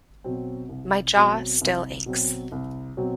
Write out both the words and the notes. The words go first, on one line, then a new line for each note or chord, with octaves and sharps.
My jaw still aches.
B2 F#3 C4
C2
B2 F#3 C4
C2
B2 F#3 C4
C2
B2 F#3 C4